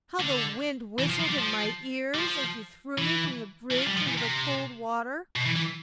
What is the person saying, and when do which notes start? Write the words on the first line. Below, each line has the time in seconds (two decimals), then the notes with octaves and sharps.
How the wind whistled in my ears as you threw me from the bridge into the cold water!
0.20 D3
0.99 E3
1.10 F3
1.20 F3
1.29 G3
1.38 F3
2.14 G3
2.18 F3
2.98 E3
3.71 E3
3.78 F3
3.87 G3
3.97 F3
4.08 E3
4.17 C3
5.36 B2
5.45 E3
5.56 E3